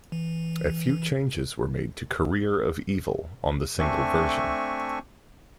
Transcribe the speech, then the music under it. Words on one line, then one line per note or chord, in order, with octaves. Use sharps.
A few changes were made to "Career of Evil" on the single version.
E3
A3 C4 D4 E5 G#5 C#6